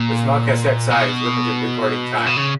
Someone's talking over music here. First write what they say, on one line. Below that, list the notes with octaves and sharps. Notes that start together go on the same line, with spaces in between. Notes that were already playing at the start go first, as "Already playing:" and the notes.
The small cassette size limited recording time.
Already playing: A#2
B2
A#2
B2
C#3